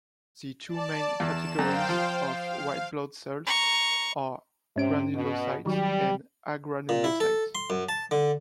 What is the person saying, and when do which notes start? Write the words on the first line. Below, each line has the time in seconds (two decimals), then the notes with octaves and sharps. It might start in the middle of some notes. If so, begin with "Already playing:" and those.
The two main categories of white blood cells are granulocytes and agranulocytes.
0.68 D5 A5
1.20 E2 E7
1.59 F#2 C5 F5 G5
1.89 F3
2.36 F5
3.47 A#5 C#6
4.76 G#2 C3 C#4 D7
5.14 B2
5.66 D#3 F#3 G3
6.89 A#2
7.04 E4
7.20 A4
7.55 C6
7.70 F#2
7.89 A5
8.11 D3